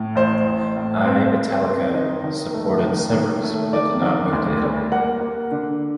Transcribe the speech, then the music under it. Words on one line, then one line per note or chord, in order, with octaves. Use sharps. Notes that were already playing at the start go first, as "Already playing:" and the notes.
I "Italica" supported Severus, but did not move to Italy.
Already playing: A2
A1 C5
A1
A2
C4
C4
C4
D#3 D#5
D#3
A3
D#3
D#3
A3
D#3 D5
D#3
D2
G3
A#3 F#5
A#3
D3